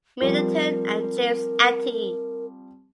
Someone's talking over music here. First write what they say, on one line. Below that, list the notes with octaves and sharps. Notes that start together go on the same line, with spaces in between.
Middleton and James Atty.
F3 G3 C4 A#4